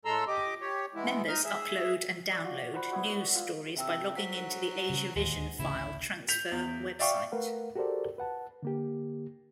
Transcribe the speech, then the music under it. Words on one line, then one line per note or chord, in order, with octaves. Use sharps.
Members upload and download news stories by logging into the Asiavision file transfer website.
A2 G#3 A4 A#5 C6 E6
G4 D#5 D6
G4 C#5
E3 G#3 B3 E4
D#4 D#5 F6
G#4 E5
D5 E6
F4 F#4
C5 F#5 B5
B3 E4 F#4
F4
C3 E5 G5 E6
F#3 C5 F#5 B6
C#3 G3
D1 D#2 G#3
A1 D2 C#3 E4
G6 B6 F7
E2
D5 E5 F5 G5 C#6
A3 A#4 B4 F5 F#5
F#4 G4 A4 A#4 C5 D5
B4 F#5 A5
D3 A#3 G4